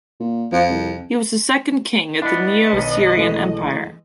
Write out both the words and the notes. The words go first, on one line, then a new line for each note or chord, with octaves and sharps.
He was the second king of the Neo Assyrian Empire.
A#2
F2 F3
C2
B3 D4 E4 D#5
B1 D#3
E3 G#3 A3